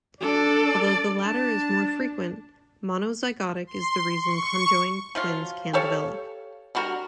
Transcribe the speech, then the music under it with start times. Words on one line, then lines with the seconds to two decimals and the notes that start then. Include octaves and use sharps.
Although the latter is more frequent, monozygotic is the reason conjoined twins can develop.
0.21 D4 A4 D5
1.23 D4 A5
3.67 C6
4.20 C#6
5.15 F3 F#3 F4
5.73 G4 A4 C#5 F5
6.75 D3 G3 F#4 A#4